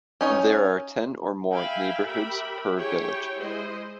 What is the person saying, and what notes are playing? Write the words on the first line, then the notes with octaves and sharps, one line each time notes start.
There are ten or more neighborhoods per village.
C#4 D#4 C#5
E5 F5 G5 G#5 B5
G4 A#4 E5 G5 B5
E4 G4 G#4 C#5 G5 G#5
G#3 E4 C5 D#5